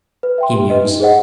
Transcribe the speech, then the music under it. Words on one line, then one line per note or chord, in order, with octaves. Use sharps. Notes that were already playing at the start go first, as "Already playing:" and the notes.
He mused.
B4
E5 G5 C6
G4
B4 D#5
D#4
G#4 C5 D#5 F#5